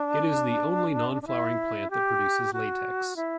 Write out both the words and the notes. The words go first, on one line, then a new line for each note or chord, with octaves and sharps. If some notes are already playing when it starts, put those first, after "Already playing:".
It is the only non-flowering plant that produces latex.
Already playing: D4
D4
E4
G4
F#4
E4